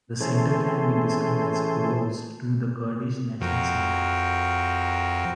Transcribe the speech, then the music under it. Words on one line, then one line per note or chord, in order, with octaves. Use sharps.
The center can be described as close to the Kurdish National Center.
E3 A3 C#4 G#4 A4 C5
F2 F#4 A#4 G5